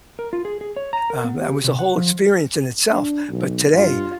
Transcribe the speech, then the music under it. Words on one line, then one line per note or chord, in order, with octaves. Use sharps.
um, that was a whole experience in itself. But, today,
A#4
F4
G#4
G#4
C#5
A#5
A#4
B3
G4
C3
F#5
F3
D4
B1
G2 F4